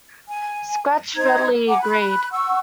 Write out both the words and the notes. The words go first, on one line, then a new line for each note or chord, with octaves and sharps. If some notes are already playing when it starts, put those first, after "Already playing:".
"Scratch" readily agreed.
G#5
D#4 C5 A#5 G#6
F#5 G#5 A#5 D6
B5 F#6
F#5 C#6 E6